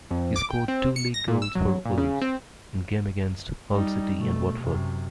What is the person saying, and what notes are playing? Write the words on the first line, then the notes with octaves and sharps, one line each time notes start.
He scored two league goals for Wolves, in games against Hull City and Watford.
F2
D6
G5
C4
C#7
A#6
A#2
E6
F#3
A#2
C#3
C4
G3 D#4
B2 A3
F#2 C3